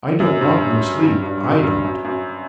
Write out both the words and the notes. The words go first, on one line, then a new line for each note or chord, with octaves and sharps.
I don't want no sleep, I don't.
F#2
G2
G2
G2
F#2
G2
F#2
F#2